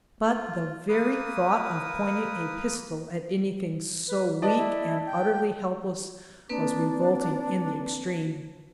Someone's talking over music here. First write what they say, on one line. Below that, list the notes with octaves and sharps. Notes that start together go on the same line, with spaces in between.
But the very thought of pointing a pistol at anything so weak and utterly helpless was revolting in the extreme.
F4
A#3 B4 D#6
B4
B4 D5 D#5 A5
E4
G5
A#3 C4 D4 B4